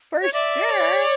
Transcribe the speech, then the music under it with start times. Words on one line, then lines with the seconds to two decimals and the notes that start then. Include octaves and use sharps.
For sure!
0.22 C#5
0.33 D5 E5
0.69 C#5